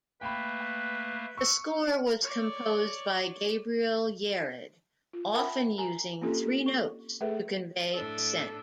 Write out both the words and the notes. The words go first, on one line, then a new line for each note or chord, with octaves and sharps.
The score was composed by Gabriel Yared, often using three notes to convey ascent.
A3 A#3 B4 G5 B5
C#6 E6 C#7
C#5 D5
F4
A#4 E5 F#5 G5 A5 B5
G#5 A#5
A#3 C4 C#4 F4 G4 A4
C#6
A3 G#4 A4 B4 E5
A2 D4 A4